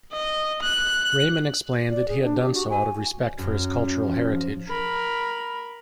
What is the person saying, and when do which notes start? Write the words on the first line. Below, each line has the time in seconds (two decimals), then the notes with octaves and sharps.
Rahmon explained that he had done so out of respect for his cultural heritage.
0.12 D#5
0.62 F#6
1.91 D5
2.08 G#4
2.23 D4
2.40 G4
2.54 F#4
2.70 G#5
3.38 F#2
4.07 F3
4.69 A#4 B5